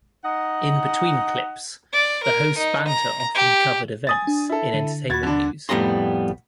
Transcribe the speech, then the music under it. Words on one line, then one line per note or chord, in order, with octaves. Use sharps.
In between clips, the hosts' banter often covered events in entertainment news.
D#4 D#5 F#5
D5
A#4
D#4
A#5
G4
G#5 D#6 A6
D4
E4 A4
D3
D#2 F#4 B5 G#6 A6
D3 D4
F2 A2 G3 B3 A#5 C6